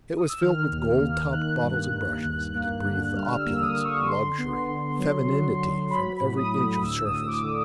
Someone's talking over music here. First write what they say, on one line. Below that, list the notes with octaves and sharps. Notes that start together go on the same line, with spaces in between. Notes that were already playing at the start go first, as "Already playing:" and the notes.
It was filled with gold-topped bottles and brushes, and it breathed opulence, luxury, femininity from every inch of surface.
D#6
E6
D#3 F6
D#2
A#3
D#3 F#6
G2
G2
D#2
A#3
D3
G3 F6
E6
A#3
D#6
D3
C#6
D3 C6
B3
D3
F#3
F#3
F#3
F#3 B5
A2
D#6
A2
D2 E6
D#6
D2
D6
D3